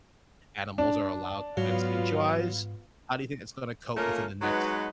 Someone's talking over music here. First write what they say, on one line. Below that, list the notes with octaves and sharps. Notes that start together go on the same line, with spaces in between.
animals are allowed to kind of sanctuarize? How do you think it's gonna cope within the next
D4
G#2 F#3 B3 F4 F5
A3 A#3 C#4 F4 A#4
F#3 G#3 B3 D#4 F#4 B4